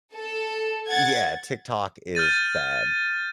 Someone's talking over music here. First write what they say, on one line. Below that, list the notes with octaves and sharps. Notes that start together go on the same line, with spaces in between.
Yeah, TikTok is bad.
A4
F#5 G#6 A6
F6 G6 A6 D#7